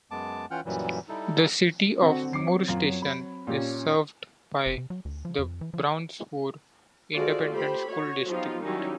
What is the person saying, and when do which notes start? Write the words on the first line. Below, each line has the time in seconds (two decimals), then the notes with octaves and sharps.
The City of Moore Station is served by the Brownsboro Independent School District.
0.11 F#2 G#3 B3 A5 D6
0.51 E3 C#4 F4 F#5 G5 F6
0.65 F#2 A#2 E3 F#3 G3
1.09 G3 D#4 E4 A4
2.02 D3 C4 F#4
2.33 F#3 D6 C7
2.68 F#2 F4
3.02 B5
3.47 A#2 C#4 G4
4.66 F1
4.78 C3
4.90 F#3
5.05 D2
5.25 F3
5.39 F2
5.61 E3
5.74 F3
7.14 G#3 F4 F#4 A4 C5 D5
7.53 A3 G4 C5 B5
7.89 F#4 C#5
8.27 F3 F#3 B3 D#4 F4 G4
8.63 D#3 F#3 G3 C#4 D#4 E4